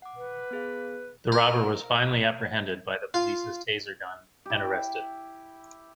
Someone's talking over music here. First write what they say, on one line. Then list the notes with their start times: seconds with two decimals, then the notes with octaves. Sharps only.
The robber was finally apprehended by the police's taser gun and arrested.
0.02 F#5 D6
0.17 B4
0.51 B3 G#4 F5
1.32 A#4
3.14 F4
4.46 E4 G4